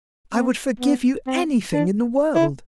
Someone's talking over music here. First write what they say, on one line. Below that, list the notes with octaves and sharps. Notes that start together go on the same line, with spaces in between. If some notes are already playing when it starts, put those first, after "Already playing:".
I would forgive you anything in the world!
C4
B3
C4
D4
E4